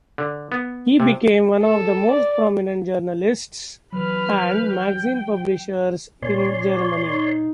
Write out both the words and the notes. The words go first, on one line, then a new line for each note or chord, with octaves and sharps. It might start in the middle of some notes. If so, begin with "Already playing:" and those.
He became one of the most prominent journalists and magazine publishers in Germany.
D3
B3
C3
A4
D5
E3 F#3 B4 B5 F6
G6
G5
A#2 C#4 C#5 D5 C6
D#4